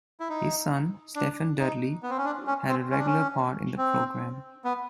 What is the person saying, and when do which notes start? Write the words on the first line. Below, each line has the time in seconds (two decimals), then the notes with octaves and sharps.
His son, Stephen Dudley, had a regular part in the program.
0.20 E4
0.29 D#4
1.15 D4
1.60 D#4
2.03 B3
2.10 C4
2.18 C#4
2.25 D4
2.47 C#4
2.69 C4
2.91 C#4
2.99 D4
3.06 C#4
3.78 C4
4.64 B3